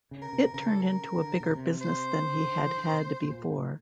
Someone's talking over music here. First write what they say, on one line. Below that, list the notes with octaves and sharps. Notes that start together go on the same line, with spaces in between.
It turned into a bigger business than he had had before.
C#3
A#4
C3
C3
C#3 A#4
A4
A#4
D3
B2
C3
C5
C#3
D3
E3
D3
C3
B2
A#2
A2